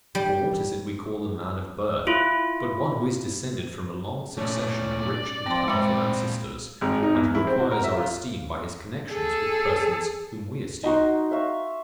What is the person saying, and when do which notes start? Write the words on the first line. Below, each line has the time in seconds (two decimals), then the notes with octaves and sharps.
For what is it we call a man of birth, but one who is descended from a long succession of rich and powerful ancestors, and who acquires our esteem by his connexion with persons whom we esteem?
0.15 G3
2.07 E4 F4
4.37 A#2 A3 C#4 D5
5.46 F3 C4 G5 C6
5.68 A#2 G#3 C4 B5 D6
6.81 G#1
7.03 D#4
7.15 E2
7.35 E4
7.47 C4
7.60 F#4
7.72 A#4
7.84 E5
7.97 F4
9.11 G#4 A4
10.83 D#4 F#4 C6
11.31 E5 F5 C#6